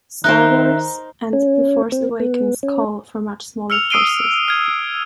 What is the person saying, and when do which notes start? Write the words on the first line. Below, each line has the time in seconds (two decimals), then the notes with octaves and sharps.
"Star Wars" and "The Force Awakens" call for much smaller forces.
0.24 D#3 D#4 A#4 C5 E5 F#6
1.33 C#4
1.92 C4
2.20 B3
2.63 C#4
3.70 E6 F6 C#7 F7
3.90 D#6 E6 C7 D7 D#7 G7
4.48 F6 G#6